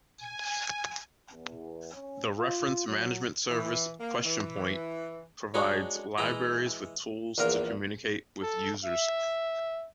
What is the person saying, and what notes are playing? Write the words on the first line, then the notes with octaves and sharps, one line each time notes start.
The reference management service QuestionPoint provides libraries with tools to communicate with users.
G#5
E2
C#4
F4
F#3
E3
A#3
E3
G#3 D4 D#4 F#4 C#5
E3 G#3 E4 A#5
A#1 E2 F4 A#4
A4
E5